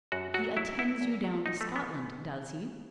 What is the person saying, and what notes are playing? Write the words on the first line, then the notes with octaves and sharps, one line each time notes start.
He attends you down to Scotland;--does he?
F#2 F#4
F#3 F#4
F#3 E4
F#3 E4
E2
F#3
A2 D#4
A3
E3
B3